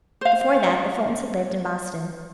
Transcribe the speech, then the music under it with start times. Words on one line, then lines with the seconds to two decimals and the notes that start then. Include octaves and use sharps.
Before that the Fultons had lived in Boston.
0.21 C5 F5